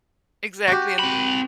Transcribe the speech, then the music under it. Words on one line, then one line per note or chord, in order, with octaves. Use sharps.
Exactly, and
F#4 G4
C4 B5